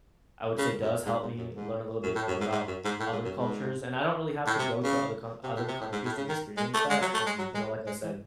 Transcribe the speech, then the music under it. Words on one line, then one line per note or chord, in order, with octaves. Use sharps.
I would say does help me learn a little bit more about other cultures, and I don't really have to go to other count other countries to experience that, and, you know, like I said,
C#3
F#2
G#2
G#2
F#2
G#2
F#2
A2
F#2
G#2
G#2
F#2
G#2
A2
G#2
F#2
G#2
A2
C3
C#3
C3
A2
C3
A2
G#2
A2
C#3
D#3
G#3
A3
G#3
F#3
A3
G#3
F#3
G#3
G#3
E3